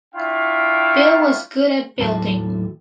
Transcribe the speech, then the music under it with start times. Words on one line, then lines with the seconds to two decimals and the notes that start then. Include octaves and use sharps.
Bil was good at building.
0.15 D4 E4 F4 F5 G5 C#6
2.00 D#2 A2 F#3 A4 G5 A5